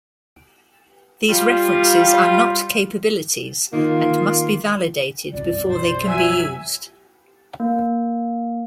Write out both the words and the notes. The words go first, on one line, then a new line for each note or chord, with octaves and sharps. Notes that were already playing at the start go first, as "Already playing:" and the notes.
These references are not capabilities, and must be validated before they can be used.
G3 F4
D#3 A#3 D#4 F4
G1 C2 F#2 D5
B1 F#2 B2 C5
F#3 E5 G#5
A#3